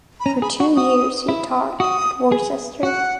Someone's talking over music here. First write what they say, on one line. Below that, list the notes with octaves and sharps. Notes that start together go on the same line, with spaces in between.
For two years she taught at Worcester.
B5
C#4 A#5
G#4 B5
F#4 C#6
F#4 D#6
E4
F#4 D#6
G#4
F#4 F#5